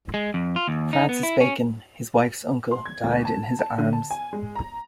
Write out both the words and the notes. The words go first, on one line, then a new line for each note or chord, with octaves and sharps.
Francis Bacon, his wife's uncle, died in his arms.
G#3
F2
F4
D#2
D#4
B3
E4
C#4
C6
G#6
D2
A5
A5
D3
A5
G#5
G#3
A#5